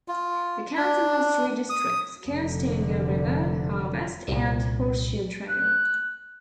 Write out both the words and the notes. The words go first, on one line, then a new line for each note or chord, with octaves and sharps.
The council has three districts: Conestoga River, Harvest, and Horse-Shoe Trail.
F4
D4
D#6
F1 D3
C2 A#2
F#6